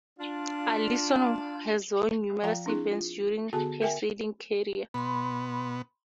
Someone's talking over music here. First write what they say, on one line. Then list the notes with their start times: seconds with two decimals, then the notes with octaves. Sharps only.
Alison has won numerous events during her sailing career.
0.19 D4 F4
2.43 F3 F4 F5 G5 A#5
2.66 C4 D4 E4 G#4
2.91 F4
3.53 D3 B3 F#4 G#4 A4 A5
3.82 A#4 E5 G5 G#5
4.94 B2 B3 B5 C6